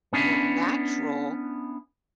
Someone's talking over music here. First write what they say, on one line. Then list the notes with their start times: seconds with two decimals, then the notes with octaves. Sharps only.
were natural
0.13 B3 C#4 D4 E4